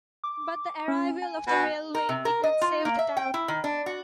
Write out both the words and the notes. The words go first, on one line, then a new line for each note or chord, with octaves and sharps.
But the arrival of the railway did not save the town.
D6
C#4
G#5
B2
A#4
C3
A#4
D#5
F4
A#3
E5
G5
E4
D#3
D4
F#4